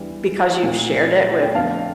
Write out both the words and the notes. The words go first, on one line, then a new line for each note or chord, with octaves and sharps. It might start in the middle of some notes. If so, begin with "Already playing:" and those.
because you've shared it with
Already playing: E2 E3 G3 D4
A#2 A3 C4 F4
G5
F2 D3 A3 F5 A5